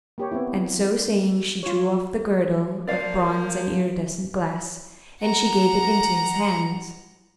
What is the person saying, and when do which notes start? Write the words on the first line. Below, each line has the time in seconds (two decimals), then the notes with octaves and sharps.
And so saying she drew off the girdle of bronze and iridescent glass, and she gave it into his hands.
0.18 A#3 G4 C#5
0.32 B3 C4 E4
1.63 F4 C#5
2.87 F3 A#3 D5 F5
5.22 F#5 A#5